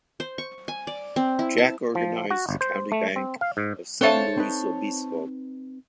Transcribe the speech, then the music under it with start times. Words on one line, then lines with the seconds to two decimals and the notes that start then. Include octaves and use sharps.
Jack organized the County Bank of San Luis Obispo.
0.20 C5
0.38 C#6
0.68 G#5
0.87 D5
1.16 C4
1.39 E4
1.58 A5
1.95 F3
2.31 F#4
2.49 G1
2.61 C5
2.92 A3
3.16 C4
3.41 F5
3.57 G#2
4.01 C4 D4 A4 C5 C#5 E5 F5 A5
4.38 C4 D#4 B4